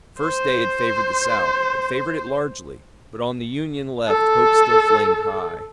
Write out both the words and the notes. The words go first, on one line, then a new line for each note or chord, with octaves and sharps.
The first day had favored the South, had favored it largely, but on the Union left hope still flamed high.
C5
A4